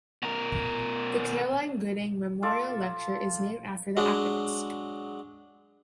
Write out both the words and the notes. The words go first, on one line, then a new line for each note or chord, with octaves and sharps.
The Caroline Gooding Memorial Lecture is named after the activist.
B2 A#4
F4 A4 D5 E5
F#3 G#3 D4